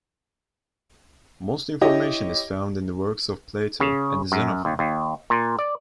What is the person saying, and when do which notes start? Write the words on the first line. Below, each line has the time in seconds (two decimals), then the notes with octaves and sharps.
Most information is found in the works of Plato and Xenophon.
1.81 E4 G4 C#5 D#5
3.80 C#3
4.32 F#2
4.65 D#2
4.79 D#2
5.30 A#2
5.59 D5